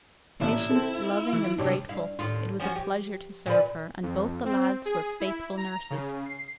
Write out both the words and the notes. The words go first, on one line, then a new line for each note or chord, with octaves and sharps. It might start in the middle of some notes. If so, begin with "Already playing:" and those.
Patient, loving, and grateful, it was a pleasure to serve her, and both the lads were faithful nurses.
A1 A#2 E4 E5
C4 A4
E3
C2 G2 D4 G4 C#5
G2 E4 F5
D#2 A2 F4
F3 C#4 F#4
G4
A#2 D3 B4
F2
C4
G#4
E4
A#5
C#3
C7